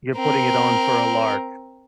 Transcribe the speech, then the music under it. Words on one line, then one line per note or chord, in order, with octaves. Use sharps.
You're putting it on for a lark.
C4 A#4